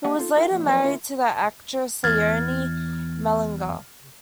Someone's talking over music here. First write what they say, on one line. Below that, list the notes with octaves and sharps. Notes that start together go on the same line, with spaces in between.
He was later married to the actress Leonie Mellinger.
A#3 G4 D#5 F#5
D#4 F4 A4
D#4 F4 A#4 E5 G5
F2 A#2
F3 F#3 B3 D4 A#4 C5
D2 C#4 E4 F4 A#4
E2 F6 G#6 A6